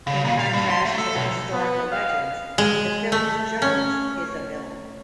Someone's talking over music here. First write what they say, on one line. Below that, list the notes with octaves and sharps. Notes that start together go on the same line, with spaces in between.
In contrast to the historical legends, the film's Jones is a villain.
C#3
A#2
F5
G2
C6
A3
A4
B1
B3
F5
G#3
A3
C#4